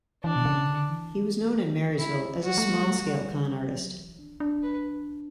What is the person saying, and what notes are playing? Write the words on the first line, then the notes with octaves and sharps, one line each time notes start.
He was known in Marysville as a small-scale con artist.
E3 D4
B2
C#3
D3
E3
G3 E4
A3
G3
A3
G3
A3 F#4
G3
A3
G3
A3
G3
A3
G3
F#3
E3
D4
D4
B4